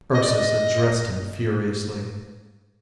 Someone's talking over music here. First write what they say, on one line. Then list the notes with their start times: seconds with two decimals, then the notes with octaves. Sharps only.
Ursus addressed him furiously.
0.14 D#5
0.22 D5
0.30 D#5